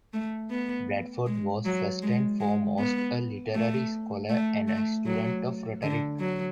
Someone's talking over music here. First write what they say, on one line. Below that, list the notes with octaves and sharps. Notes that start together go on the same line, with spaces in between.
Bradford was first and foremost a literary scholar and a student of rhetoric.
A3
B3
G#3
F#3
G#3
G#3
B3
A3
A3
A3
F#3
D3
F#3